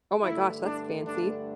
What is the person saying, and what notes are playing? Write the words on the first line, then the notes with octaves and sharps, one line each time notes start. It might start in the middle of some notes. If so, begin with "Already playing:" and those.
Oh my gosh, that's fancy.
G2 D3 A3 E4
D4
D4